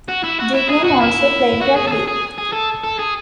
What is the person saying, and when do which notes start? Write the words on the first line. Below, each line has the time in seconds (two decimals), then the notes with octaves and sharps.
Dignan also played rugby.
0.09 F#4
0.24 E4
0.40 F#4
0.55 E4
0.70 G#4
0.84 F#4
1.00 E4
1.61 F#4
1.76 G#4
1.87 A4
1.92 G#4
2.08 G#4
2.38 G#4
2.52 A4
2.83 A4
2.99 G#4